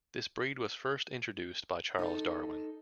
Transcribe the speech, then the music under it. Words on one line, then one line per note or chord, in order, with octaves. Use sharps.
This breed was first introduced by Charles Darwin.
D#4 A4